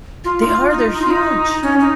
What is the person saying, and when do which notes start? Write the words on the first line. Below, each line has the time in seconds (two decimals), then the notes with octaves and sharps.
They are, they're huge.
0.25 F4
0.42 D#4
0.48 F4
0.71 D#4
0.94 D#4
1.02 F4
1.11 D#4
1.63 C#4
1.80 D#4